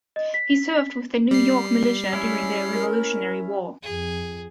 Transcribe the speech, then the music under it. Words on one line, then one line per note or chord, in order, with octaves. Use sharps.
He served with the New York Militia during the Revolutionary War.
D#5
B6
G3 C7
C#4 E4
A#4
F2 G#4